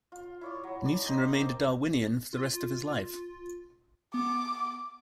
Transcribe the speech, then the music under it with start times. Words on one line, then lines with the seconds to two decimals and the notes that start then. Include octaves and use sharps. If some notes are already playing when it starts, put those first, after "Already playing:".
Newton remained a Darwinian for the rest of his life.
0.12 F4
0.41 E4 C#5 D5
0.64 F#3
0.85 D5 A5 D6
1.04 D#5 G5 A#5 C6
1.31 A#3 C4
2.33 F4
4.14 B3 D6